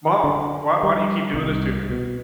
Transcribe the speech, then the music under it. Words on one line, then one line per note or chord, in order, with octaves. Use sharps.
"Mom, why why do you keep doing this to me?"
D3
G3
C2
B2